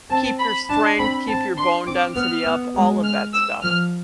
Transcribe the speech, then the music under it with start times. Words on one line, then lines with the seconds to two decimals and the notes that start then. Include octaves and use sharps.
keep your strength, keep your bone density up, all of that stuff.
0.10 C4 A5
0.40 B5
0.69 D4 A5
0.99 C4 B5
1.28 C4 A5
1.57 D4 C6
1.87 C4 D6
2.16 B3 F6
2.46 B3
2.75 G#3
3.04 F6
3.34 E6
3.63 F3 F6